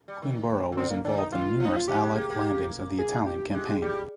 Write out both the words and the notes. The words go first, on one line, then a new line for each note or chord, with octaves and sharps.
"Queenborough" was involved in numerous Allied landings of the Italian Campaign.
G3
D#3
D#3
D3 C4
A#3
D#3 D4
D#4
D#3 F4
F3
D#4
F4
F3 G4
G#3
A#3
A#3
G#4
G4
G#3 G4
G3 G4